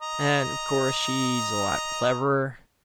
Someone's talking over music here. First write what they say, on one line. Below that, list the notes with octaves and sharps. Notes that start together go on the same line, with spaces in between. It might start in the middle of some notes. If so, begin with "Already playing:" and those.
And, of course, she's a lot cleverer.
D#5 A#5